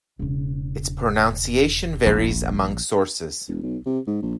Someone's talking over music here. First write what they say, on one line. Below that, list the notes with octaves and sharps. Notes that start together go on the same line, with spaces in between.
Its pronunciation varies among sources.
E1 C#3
A#1
E1
B1
C3
G#2
A#1